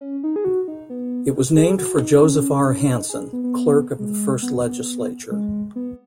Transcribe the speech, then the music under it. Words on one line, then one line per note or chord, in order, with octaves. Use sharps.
It was named for Joseph R. Hanson, clerk of the first legislature.
C#4
D#4
G#4
F#4
D#4
B3
G#4
F#4
D#4
C#4
C#4
C#4
D#4
G#4
B3
B3
G#3
B3
G#3
B3